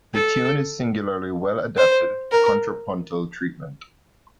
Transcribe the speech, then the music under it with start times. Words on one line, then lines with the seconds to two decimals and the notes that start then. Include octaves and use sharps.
The tune is singularly well-adapted to contrapuntal treatment.
0.15 A4
1.78 C5
2.32 A#4